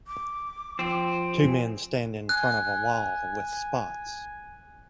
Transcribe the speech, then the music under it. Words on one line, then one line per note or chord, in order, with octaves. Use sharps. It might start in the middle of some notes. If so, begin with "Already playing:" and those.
Two men stand in front of a wall with spots.
D6
F3 C4
G#5
G#5 F#6